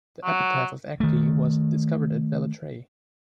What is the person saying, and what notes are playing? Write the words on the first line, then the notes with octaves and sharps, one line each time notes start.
The epitaph of Acte was discovered at Velitrae.
F#3
D#3 A3